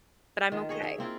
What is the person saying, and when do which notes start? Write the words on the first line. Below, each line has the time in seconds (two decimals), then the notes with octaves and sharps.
but I'm okay."
0.52 D#3 F4
0.69 G#4 C#5 D#5
0.82 E5
0.98 A#3 C4 E4 F4